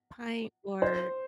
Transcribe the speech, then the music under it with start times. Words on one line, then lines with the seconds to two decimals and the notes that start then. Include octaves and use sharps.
pint or
0.82 C5